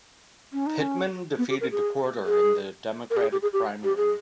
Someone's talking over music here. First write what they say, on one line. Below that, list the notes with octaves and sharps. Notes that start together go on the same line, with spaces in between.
Pittman defeated Porter in the Democratic primary.
C#4
D#4
C#4
B3
G4
A#4
G#4
G#4
A#4
G4
G#4
G4
G#4
G4
G4
G#4